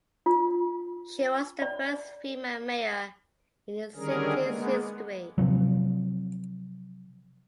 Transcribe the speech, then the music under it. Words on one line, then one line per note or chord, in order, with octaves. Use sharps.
She was the first female mayor in the city's history.
F4
D5
D3 D#3 G3 C#4 G#4 A#4
G#3 A#3 B3
C3 F3 F#3